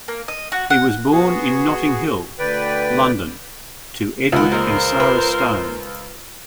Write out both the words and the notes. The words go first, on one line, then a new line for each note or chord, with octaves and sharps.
He was born in Notting Hill, London to Edward and Sarah Stone.
A#3
D#5
F#4
F#5
B3 F#4 G#4
D2 D3 B4 D5 G5
C#2 E5 F#5
A#2 G#3 A#4 C5
B4